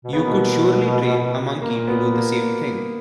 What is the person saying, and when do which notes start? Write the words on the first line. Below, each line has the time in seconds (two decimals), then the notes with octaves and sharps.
You could surely train a monkey to do the same thing.
0.04 B2
0.13 C#3 B3
0.23 B2 A#3
0.32 B3
1.62 A#2 A#3
1.88 B3
2.14 A#3